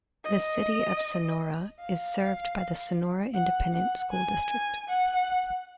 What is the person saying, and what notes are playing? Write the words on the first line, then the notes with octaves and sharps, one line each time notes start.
The City of Sonora is served by the Sonora Independent School District.
D#5
F5
F#5
F#5
G#5
G#5
F#5